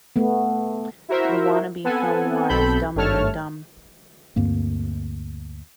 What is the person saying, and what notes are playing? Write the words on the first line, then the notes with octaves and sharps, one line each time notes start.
The wannabe film noir is dumber than dumb.
A3 B3
E4 F#4 A#4 C5 E5
B3 C4 A4 F#5 G#5
B1 B2 C4 A4 B5 G6
G#1 G2 A3 C#5 A5 F6
D2 G2 A#3 C4